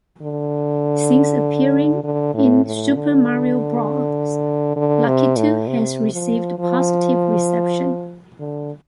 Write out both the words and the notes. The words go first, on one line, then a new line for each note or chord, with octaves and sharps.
Since appearing in "Super Mario Bros.", Lakitu has received positive reception.
D3
D3
A2
A2
D3
D3
C3
A2
C3
F3
F3
D3